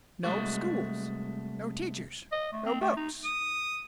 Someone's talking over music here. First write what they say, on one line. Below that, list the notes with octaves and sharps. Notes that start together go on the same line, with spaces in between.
No schools, no teachers, no books!
C2 G#3 A3 F#4
D#5
A3
C4
A3
D#4
D#6